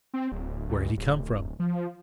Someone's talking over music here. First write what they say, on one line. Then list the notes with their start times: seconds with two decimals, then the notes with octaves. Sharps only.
Where had he come from?
0.14 C4
0.32 D1
0.69 C#2
0.97 D1
1.60 F3